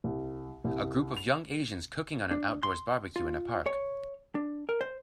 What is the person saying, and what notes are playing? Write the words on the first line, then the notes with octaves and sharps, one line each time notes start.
A group of young Asians cooking on an outdoors barbecue in a park.
C2
C2
F7
D4
C6
F4
C#5
D4
A#4
C5